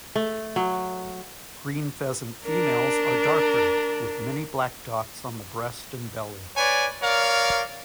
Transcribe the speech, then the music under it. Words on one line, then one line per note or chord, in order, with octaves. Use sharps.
Green pheasant females are darker, with many black dots on the breast and belly.
A3
F#3
D4 A#4
B4 C#5 D5 G#5
A#4 C#5 D5 F5